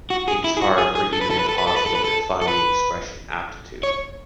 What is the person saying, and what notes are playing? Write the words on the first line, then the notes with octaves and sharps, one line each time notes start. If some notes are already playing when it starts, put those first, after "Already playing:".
It’s hard or even impossible to define the expression aptitude.
F#4
G#4
E4
G#4
F#4
G#4
G#4
A4
B4
A4
B4
A4
B4
A4
B4
A4
B4
A4
A4
B4
C#5